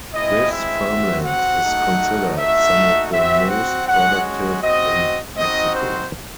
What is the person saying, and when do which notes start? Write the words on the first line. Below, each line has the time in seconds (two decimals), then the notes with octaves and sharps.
This farmland is considered some of the most productive in Mexico.
0.13 G#3 C4 E4 D#5
0.50 E5
0.88 C4 F#4
1.25 F#5
1.62 A3 D#4 F#4
2.37 A3 D#4 F#4 E5
3.12 C4 F#4 E5
3.49 F#5
3.87 G#3 C#4 F#4 F#5
4.62 C4 F#4 D#5
5.36 C4 D#4 F#4 D#5
5.74 C5